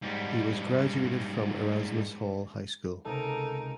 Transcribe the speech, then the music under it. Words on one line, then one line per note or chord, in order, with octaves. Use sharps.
He was graduated from Erasmus Hall High School.
G#2 G3
C#2 C3 D#4 A4 A#4 F6